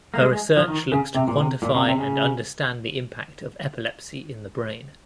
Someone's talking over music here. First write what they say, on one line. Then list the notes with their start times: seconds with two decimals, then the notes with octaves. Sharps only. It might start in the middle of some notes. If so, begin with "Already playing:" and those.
Her research looks to quantify and understand the impact of epilepsy in the brain.
0.14 A#3
0.21 G#3
0.33 G#3
0.57 F3
0.68 D#3
0.92 C#3
1.15 C3
1.28 A#2
1.39 C3
1.62 A#2
1.74 C3
1.86 C3
1.98 C#3